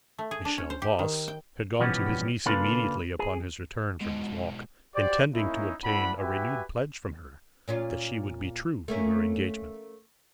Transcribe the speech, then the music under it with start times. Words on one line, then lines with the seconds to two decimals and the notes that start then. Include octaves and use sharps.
Michel Voss had gone to his niece immediately upon his return from his walk, intending to obtain a renewed pledge from her that she would be true to her engagement.
0.19 A3
0.31 G#4
0.45 D4
0.58 C#4
0.70 C5
0.82 G4
0.99 D#3
1.28 G5
1.80 B2 E3 F3 G3 B3 C#4
2.46 C#3 A#3 D4 F4 A4 B4
3.19 G#4
4.01 G#2 B2 G#3
4.95 F#4 G4 C5 D5
5.34 A#3 C#4 D#4 E4
5.83 A3 C4 D4 E4 F#5 B5
6.19 F#4 G4 B4 E5 G5 G#5
7.68 A#2 C#4 F4
8.88 A3 A#3 C#4